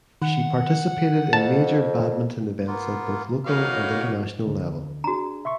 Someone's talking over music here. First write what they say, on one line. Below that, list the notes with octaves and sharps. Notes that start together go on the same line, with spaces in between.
She participated in major badminton events at both local and international level.
D#3 F#5
F2 A5
A#3 B3 F4
A2 A#3 C#4 F#4 D#5 F5
D2 D3
D4 F#4 G#4 A#5
E5 C6 C#6